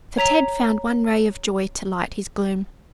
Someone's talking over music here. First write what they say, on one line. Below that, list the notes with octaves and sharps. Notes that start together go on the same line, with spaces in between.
So Ted found one ray of joy to light his gloom.
C#5 A#5 B6 F7